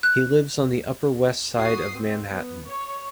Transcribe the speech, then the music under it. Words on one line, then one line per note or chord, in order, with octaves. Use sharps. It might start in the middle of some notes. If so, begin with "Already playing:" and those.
He lives on the Upper West Side of Manhattan.
F#6
F#4 D#6 C7
C4
B3
C#5